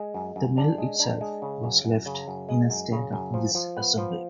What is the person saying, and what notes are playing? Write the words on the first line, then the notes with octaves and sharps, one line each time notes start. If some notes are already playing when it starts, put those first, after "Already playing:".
The mill itself was left in a state of disassembly.
Already playing: G#3
F#2
F#2
D4
G#3
D4
G#3
C#3
F#2
F#2
C#3
F#2
G#3
F#2
C#3
F#2
F3
F3
B3
F3